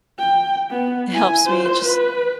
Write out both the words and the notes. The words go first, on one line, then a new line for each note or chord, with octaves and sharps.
it helps me just,
G5
B3
E4 G#5
F4 C5
B4